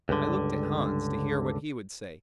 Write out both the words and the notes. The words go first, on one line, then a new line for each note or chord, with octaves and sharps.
I looked at Hans, to hear what he would say.
C#2 G2 D3